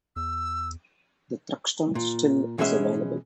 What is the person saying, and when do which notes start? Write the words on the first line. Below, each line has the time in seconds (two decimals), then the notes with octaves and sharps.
The Thruxton still is available.
0.16 E2 E6
1.95 A#2
2.58 B2 E3 G#3 C#4 G#4 E5